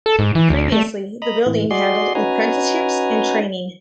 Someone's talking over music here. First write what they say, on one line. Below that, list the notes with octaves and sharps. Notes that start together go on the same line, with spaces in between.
Previously the building handled apprenticeships and training.
A4
G#2
E3
D2
A3
D#5 A#5 B5
A2 E3
F#4 G#4 D5 D#5 C6
C#4 D#4 F#4 B4 G#5 A#5